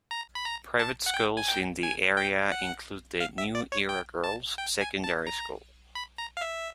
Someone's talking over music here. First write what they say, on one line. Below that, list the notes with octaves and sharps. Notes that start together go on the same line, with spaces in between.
Private schools in the area include the New Era Girls Secondary School.
A#5
B5
A#5
A5
F#5
G5
G#5
G5
G#5
G5
F#5
F5
E5
D5
C#5
G5
A5
G5
G#5
A5
A#5
B5
A#5
F5
E5